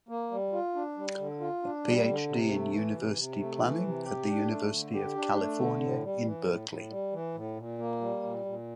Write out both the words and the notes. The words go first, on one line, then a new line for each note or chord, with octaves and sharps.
A PhD in University Planning at the University of California, in Berkeley.
A#3
G3
F4
D4
G3
D3
F4
D4
G3
D3
C3
A3
E3
C3
C3
A3
E3
C3
G4
D4
A3
D3
G4
D4
A3
D3
A2
G3
E3
A2
A2
G3
E3
A2
A#2
A#3
G3
A#2
A#2